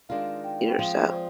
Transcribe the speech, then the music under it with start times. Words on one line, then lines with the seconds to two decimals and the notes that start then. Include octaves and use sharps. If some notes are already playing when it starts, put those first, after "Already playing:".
Or so
0.09 D#3 G#3 D4 F4 F5
0.44 G5
0.69 G5
0.79 F3 G#3 C4 F5
1.09 C5
1.14 D5